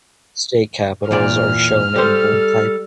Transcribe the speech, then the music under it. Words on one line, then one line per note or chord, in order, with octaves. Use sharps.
State capitals are shown in bold type.
E2 A#2 D5 F6
G3 A4 C5